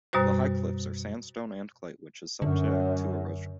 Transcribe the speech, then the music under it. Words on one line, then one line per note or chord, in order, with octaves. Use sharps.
The high cliffs are sandstone and clay which is subject to erosion.
F#2 B2 G3 F#4 C5
F#2 D3